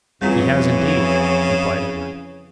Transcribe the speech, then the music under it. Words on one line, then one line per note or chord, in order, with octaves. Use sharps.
"He has, indeed," replied Edward.
F2 C#3 E3 G3 C4 F4 F#4